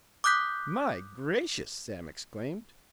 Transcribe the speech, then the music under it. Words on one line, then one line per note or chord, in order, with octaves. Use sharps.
"My gracious!" Sam exclaimed.
D6 D#6 F#6 G6 B6